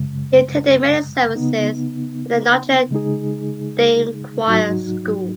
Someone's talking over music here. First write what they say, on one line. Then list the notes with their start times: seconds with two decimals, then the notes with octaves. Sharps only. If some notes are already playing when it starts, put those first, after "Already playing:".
He attended many services at the Notre Dame Choir School.
Already playing: F#2 C#3 G#3
1.35 C#3 B3 D#4
2.91 C#3 G#3 D#4 G#4
4.46 G#2 F#3 D#4 F#4